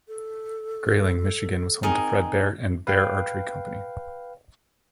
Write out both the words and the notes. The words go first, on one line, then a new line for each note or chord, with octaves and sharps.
Grayling, Michigan was home to Fred Bear and Bear Archery Company.
A4
C4 D#4 G#4 A#4
B4 F5 G5